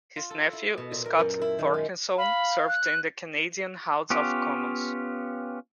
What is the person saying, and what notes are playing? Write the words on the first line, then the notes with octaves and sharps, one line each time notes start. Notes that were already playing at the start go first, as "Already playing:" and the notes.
His nephew Scott Thorkelson served in the Canadian House of Commons.
F4
A4
E4
B2
A#2
A#4
F#2
E4
D#3
G#3
F5 B5
F#6
B3 C#4 F4 G4